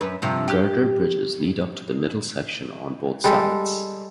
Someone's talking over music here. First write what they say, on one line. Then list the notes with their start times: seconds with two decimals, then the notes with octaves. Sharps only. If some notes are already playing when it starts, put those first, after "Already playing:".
Girder bridges lead up to the middle section on both sides.
0.01 F#2 B4
0.22 G2 C3 F3
0.48 G4
3.24 G3 G#3 A4